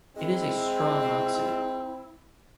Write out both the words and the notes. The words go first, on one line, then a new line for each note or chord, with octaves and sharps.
It is a strong oxidant.
G#3 C4 E4